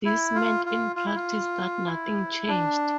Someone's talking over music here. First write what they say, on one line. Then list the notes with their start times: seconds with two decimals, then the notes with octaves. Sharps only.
This meant in practice that nothing changed.
0.05 E4
0.35 F4
0.66 F4
0.96 F4
1.06 E4
1.16 F4
1.87 E4
2.48 D4